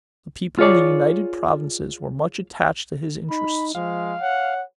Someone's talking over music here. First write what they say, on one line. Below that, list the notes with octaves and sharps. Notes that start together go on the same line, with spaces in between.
The people in the United Provinces were much attached to his interests.
F4 G#4 C#5 D5
D#4 B5
F3 G#3 F5
C#5 F#5